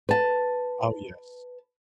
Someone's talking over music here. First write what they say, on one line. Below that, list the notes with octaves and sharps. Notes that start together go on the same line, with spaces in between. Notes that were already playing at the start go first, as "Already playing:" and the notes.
Oh, yes.
B4 A5